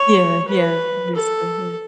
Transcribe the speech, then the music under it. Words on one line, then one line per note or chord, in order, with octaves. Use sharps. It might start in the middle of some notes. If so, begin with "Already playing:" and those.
Yeah, yeah, basically, yeah.
Already playing: C#5
B4
A4